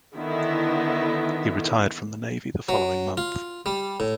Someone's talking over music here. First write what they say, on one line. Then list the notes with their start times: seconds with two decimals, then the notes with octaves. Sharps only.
He retired from the navy the following month.
0.17 D3 D#3 B3 E4
2.69 F#3
3.17 F4
3.66 G3
4.00 A2